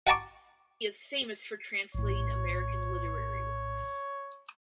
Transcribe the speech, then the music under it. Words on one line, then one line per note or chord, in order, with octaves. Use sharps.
He is famous for translating American literary works.
F#5 G5 A5 A#5 C#6 D6
A#1 A2 C#5